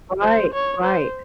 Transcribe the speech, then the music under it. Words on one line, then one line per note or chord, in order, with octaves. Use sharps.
Right, right,
C5
C#5
C5